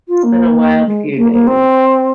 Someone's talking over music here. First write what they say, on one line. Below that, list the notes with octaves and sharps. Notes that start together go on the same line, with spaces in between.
it's been a wild few days.
F4
A#3
G#3
A#3
A#3
C4